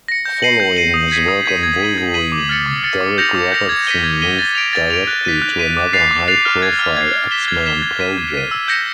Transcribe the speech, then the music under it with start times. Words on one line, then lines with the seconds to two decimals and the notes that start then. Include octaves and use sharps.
Following his work on Wolverine, Darick Robertson moved directly to another high-profile X-Men project.
0.08 A#6 C#7
0.25 G6
0.42 C7 D#7 F#7
0.60 G6
0.77 C7 D#7 F#7
0.94 D#6
1.12 G#6 B6 D#7
1.28 D#6
1.46 G#6 B6 D#7
1.63 G#6
1.80 B6 D#7 F#7
1.98 G#6
2.14 B6 D#7 F#7
2.32 D6
2.49 F6 A6 C#7
2.66 D6
2.83 F6 A6 C#7
3.01 D6
3.18 G6 A#6 C#7 F7
3.35 D6
3.52 G6 A#6 C#7 F7
3.69 G#6
3.87 B6 D#7 G7
4.04 G#6
4.22 B6 D#7 G7
4.39 A6
4.55 D7 F7
4.73 A6
4.90 D7 F7
5.07 F#6
5.25 B6 D#7
5.42 F#6
5.59 B6 D#7
5.77 D6
5.93 F#6 A6 C7 F7
6.11 D6
6.28 F#6 A6 C7 F7
6.45 F6
6.62 G#6 C7
6.79 F6
6.97 G#6 C7
7.14 G#6
7.31 B6 E7 G7
7.48 G#6
7.66 B6 E7 G7
7.82 G#6
8.00 B6 D#7
8.18 G#6
8.34 B6 D#7
8.51 E6
8.68 G6 A#6 C#7